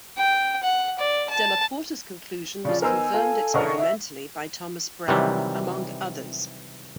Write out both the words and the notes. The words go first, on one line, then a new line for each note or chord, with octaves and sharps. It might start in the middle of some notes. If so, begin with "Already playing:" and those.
Della Porta's conclusion was confirmed experimentally by Thomas Browne, among others.
G5
F#5
D5
A5
C#3 F3 D5
D#3 B3 A#4 C5 G#5 E6
F4 A4
C#3 D4 A#4 D#5 F#5 C#6
E5
C3 D#3 E3 F#3 G3